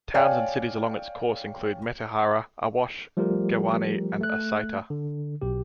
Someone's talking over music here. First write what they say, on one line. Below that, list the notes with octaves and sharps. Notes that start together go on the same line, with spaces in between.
Towns and cities along its course include Metehara, Awash, Gewane and Asaita.
C#5 D5 F5 G5 G#5
F3 G3 A3 F4 G4 A#4
A3 F#6
D3
B1 B2 G4